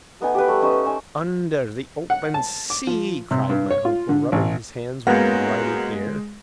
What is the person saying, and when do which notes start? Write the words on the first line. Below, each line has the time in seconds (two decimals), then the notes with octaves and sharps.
"Under the open sea," cried my uncle, rubbing his hands with a delighted air.
0.21 A3 B3 D#4 G#5
0.35 G4 B4
0.48 G3 A3
0.61 C#4 D#4 C5
0.85 C5 G#5
2.10 F#5
2.34 A5
2.70 D6
2.87 F3
3.31 C3
3.49 G2
3.70 C#5
3.85 F4
4.09 D3
4.32 A1
5.07 F#2 G#3 A#3 B3 F#5 A#5 A#6